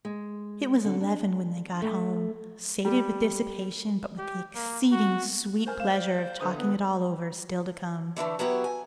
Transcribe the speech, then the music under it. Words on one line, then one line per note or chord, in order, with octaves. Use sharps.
It was eleven when they got home, sated with dissipation, but with the exceeding sweet pleasure of talking it all over still to come.
G#3
D3
D4
A3
G3
G4
A#3
F#4
A#4 C5 G#5 F6
F5 E7
D5
D3 E3 C5 D#6
B3
D3 E3 F#3 A3
F#3 B3 E4 F#4 G4
G#5